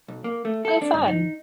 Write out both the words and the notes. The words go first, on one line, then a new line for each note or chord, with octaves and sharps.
Oh fun.
B1
A#3
A3
A4
D4
G2
D#4